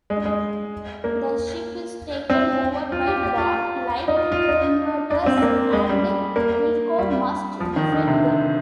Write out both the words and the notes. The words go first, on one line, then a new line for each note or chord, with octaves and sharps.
The ship is taken over by Borg-like invaders and Wilco must defeat them.
G#3
G#3
A#3
C4
F4
G4
G4
F4
D#4
F4
F4
D#4
D4
C4
C4
A#3
G#3
G3
A#3
G3
F3
D#3
D3
C3